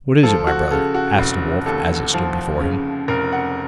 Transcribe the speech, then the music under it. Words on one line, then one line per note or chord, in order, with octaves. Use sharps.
'What is it, my brother?' asked the wolf as it stood before him.
F3 A4
F#4
C#3 A4
F#4
F1
D#2 A4
F3
C#3
F1 A#4
F#5